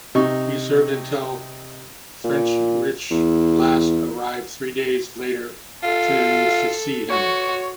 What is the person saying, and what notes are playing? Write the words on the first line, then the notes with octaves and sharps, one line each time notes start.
He served until Friedrich Last arrived three days later to succeed him.
C3 D#4 C#6
A#2
E2
F4 A4
F#4 C#5